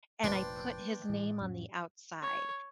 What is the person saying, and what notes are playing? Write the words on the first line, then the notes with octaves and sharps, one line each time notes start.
and I put his name on the outside,
F1 A#2 F3 A#3 D4 B4 G5 C6
A2 E3 G#3
F2 F#3 C#4
C#5